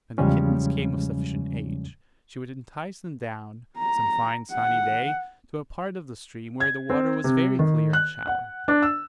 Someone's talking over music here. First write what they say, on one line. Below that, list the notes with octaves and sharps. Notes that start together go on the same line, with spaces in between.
When the kittens came of sufficient age, she would entice them down, some fine sunny day to a part of the stream, where the water was very clear and shallow.
E2 C#3 F3 G3 G#3 C#4
A#5
F#5
G#6
C4
C3
D#3
F#6
F#5
D4
E6